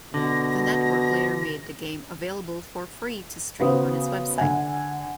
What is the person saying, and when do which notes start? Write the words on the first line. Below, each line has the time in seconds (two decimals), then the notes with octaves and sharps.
The network later made the game available for free to stream on its website.
0.14 B2 D3 A#6
3.60 C#3 B3 F#4 B4 C5 D#6
4.38 D3 F#5 G#5